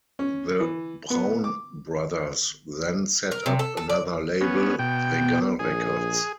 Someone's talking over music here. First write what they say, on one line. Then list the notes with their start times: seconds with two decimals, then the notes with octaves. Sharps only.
The Braun brothers then set up another label, Regal Records.
0.19 C#4
0.60 E3
1.10 B3
1.44 D6
3.32 A#4
3.46 C3
3.59 A4
3.77 A4
3.89 D5
4.41 B3 C#4
4.79 B2 G5
5.20 B3
5.59 A#1 G#4